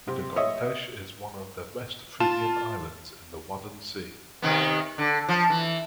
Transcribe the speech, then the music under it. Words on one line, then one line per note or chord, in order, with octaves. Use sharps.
Zuiderduintjes is one of the West Frisian Islands in the Wadden Sea.
C3
C#5 D#5 E5
F4 A5 E7
C3 D#3 B3
D3
F3
E3